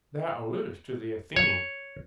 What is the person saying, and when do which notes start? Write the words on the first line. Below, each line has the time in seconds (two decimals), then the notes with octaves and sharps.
'Thou alludest to the Athenian.
1.36 C#5